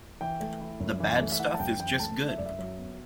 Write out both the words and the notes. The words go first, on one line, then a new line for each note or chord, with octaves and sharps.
The bad stuff is just good.
E3 G5
A3
E4
F#2
E3
A3
E5
E4 F#5
A5
F#2 G5
E3 G5
A3 A5
E4
E5
F#2 D5
E5
F#3
B3